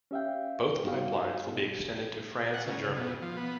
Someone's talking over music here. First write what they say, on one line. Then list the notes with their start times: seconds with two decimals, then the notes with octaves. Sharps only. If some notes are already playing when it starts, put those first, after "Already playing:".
Both pipelines will be extended to France and Germany.
0.11 C#4 G4 E5 F5 G5
0.84 G2 B3 D#4 F#4 G4 F5
1.53 B2
2.53 F#5
2.66 C#3
2.96 B2
3.22 F3
3.37 B3